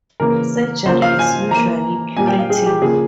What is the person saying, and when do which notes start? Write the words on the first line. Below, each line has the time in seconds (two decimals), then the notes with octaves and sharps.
Surgery is usually curative.
0.20 C#3 E3 A#3 A#4
0.86 C#3 F3 A#3 C5
1.02 F5
1.19 G#5
1.51 E3 A#3 A#5
2.17 A#2 G3 A#3 G#5
2.27 G5
2.39 F5
2.50 G#4
2.66 G4
2.82 C#3 F3 A#3 G#4